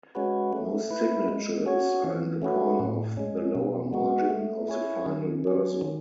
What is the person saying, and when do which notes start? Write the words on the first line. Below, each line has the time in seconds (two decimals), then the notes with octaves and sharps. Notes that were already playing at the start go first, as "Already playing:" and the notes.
Most signatures are in the corner of the lower margin of the final verso.
0.15 G#3 C#4 F#4 B4
0.53 A3
0.91 E4 B4
1.29 G#3
1.66 C#4 F#4 C#5
2.04 E3
2.42 A3 C#4 F#4 B4
2.79 A2
3.17 G#3 C#4
3.55 B2
3.93 G#3 B3 F#4
4.30 A3
4.68 E4 G#4 C#5
5.06 D#3
5.44 F#3 C#4
5.82 D#3